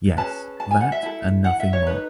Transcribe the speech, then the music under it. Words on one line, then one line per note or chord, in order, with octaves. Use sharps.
Yes. That, and nothing more.
C#4 G#4 B4 A5
A5
G#5
F#5
E5
E4 A4
F#5
E5
C#5
D#4 A4 B4